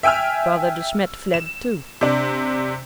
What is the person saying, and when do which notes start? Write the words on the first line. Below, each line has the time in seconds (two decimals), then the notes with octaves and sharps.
Father De Smet fled, too.
0.03 E5 G5 G#5 E6 F6
1.34 E7
2.01 C3 D4